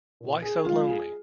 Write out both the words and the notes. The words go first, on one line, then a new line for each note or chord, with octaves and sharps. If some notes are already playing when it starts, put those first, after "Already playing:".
Why So Lonely?
A#2
G#4
F3 G#3 F4
G#4